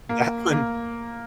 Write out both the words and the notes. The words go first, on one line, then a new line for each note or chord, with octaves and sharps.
That one
A#3
A#3